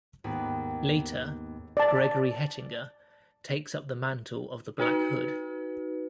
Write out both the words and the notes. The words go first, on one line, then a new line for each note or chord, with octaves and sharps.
Later, Gregory Hettinger takes up the mantle of the Black Hood.
D#2 G#2 B3 B5
D5 A5
D#4 F#4 B4